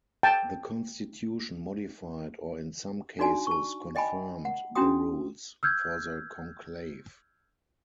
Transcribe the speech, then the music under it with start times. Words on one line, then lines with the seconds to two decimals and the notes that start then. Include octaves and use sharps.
The constitution modified or in some cases confirmed the rules, for the conclave.
0.23 G5 A5
3.19 D4 D#4 F#4 D5 G#5
3.47 A5 C#6
3.95 D5 D#5 G5 G#5 B5
4.45 F#5
4.75 C#4 D4 E4 F#4 G5 D#6
5.63 E6 F6 G6 G#6